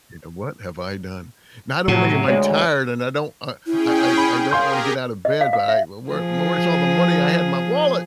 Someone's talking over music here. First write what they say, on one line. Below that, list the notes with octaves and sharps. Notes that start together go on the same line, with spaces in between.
You know, "What have I done? Not only am I tired and I don't I I I I don't wanna get out of bed, but I w where where's all the money I had in my wallet?"
A2 C3 F#3
D2 G#3 C#5
C#4 E4 G#4 G5
B5
G4 G#4 A#4 F5 C6 G6
D#5
F5
F5
E5
F3 G#4